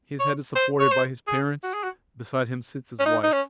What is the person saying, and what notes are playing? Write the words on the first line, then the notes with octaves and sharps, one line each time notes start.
His head is supported by his parents: beside him sits his wife.
C#5
C5
C#5
C5
G#4
F#4
G#4
F#4
C#4
D#4
D#4
C#4